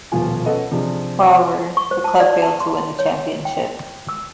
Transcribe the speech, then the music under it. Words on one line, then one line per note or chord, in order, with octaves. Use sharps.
However, the club failed to win the championship.
D#1 B2 F3 F4 G#5
C#4 A4 B4 D#5 F#5
C3 F3 D4 G#4
C#6
C5
A5
D5
A5
C6
C#5
G5
E6